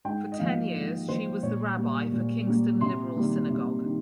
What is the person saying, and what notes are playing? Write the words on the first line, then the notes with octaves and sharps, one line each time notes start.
For ten years she was the Rabbi for Kingston Liberal Synagogue.
G#2 G5
D#5
F3 A#3 F5
G#2
F3 A#3 C5
A#2 C#5
G3 A#3
A#2
G3 A#3
C3 C6
D#3 G3 A#3
C3
D#3